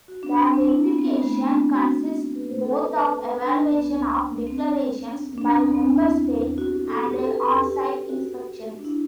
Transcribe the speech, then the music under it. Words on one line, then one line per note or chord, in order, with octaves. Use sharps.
The verification consists both of evaluation of declarations by member states and on-site inspections.
F#4
D4
C4
D4
E4
B3
C4
B3
A3
B3
C4
D4
F#4
B4
C5
A4
B4
B4
B4
D4
D4
B3
C4
D4
C4
B3
C4
D4
E4
F#4
A4
G4
A4
B4
A4
G4
F#4
D4
E4